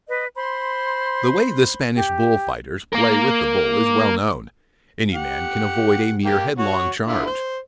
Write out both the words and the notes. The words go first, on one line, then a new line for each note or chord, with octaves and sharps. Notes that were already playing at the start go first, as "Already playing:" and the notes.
The way the Spanish bull-fighters play with the bull, is well known: any man can avoid a mere headlong charge.
B4 D#5
C5 B5 C6
G4
A#3 A#4
G4 F#5
A#3 G4 G5
F#4 C#5
D3 E4 F4
C5